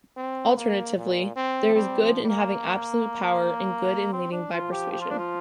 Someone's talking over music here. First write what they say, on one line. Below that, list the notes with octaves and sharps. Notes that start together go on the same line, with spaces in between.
Alternatively, there is good in having absolute power, and good in leading by persuasion.
C4
A#3
A#2
C4
F3
G3 C4
F3
G3
A#3
C4
D4
F3 F4
G4
G4
F4
D4
F4